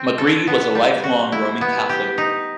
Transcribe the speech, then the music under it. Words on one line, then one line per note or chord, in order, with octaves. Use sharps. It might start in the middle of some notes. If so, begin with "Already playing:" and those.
MacGreevy was a lifelong Roman Catholic.
Already playing: C4
A4
B3
G3
F#4
E4
B3
G4
D#4